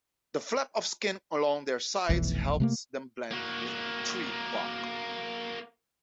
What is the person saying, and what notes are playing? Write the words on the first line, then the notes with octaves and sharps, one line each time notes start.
The flaps of skin along their sides help them blend with tree bark.
F1 B1 E3
C3 A3 A#3
A#3 F#4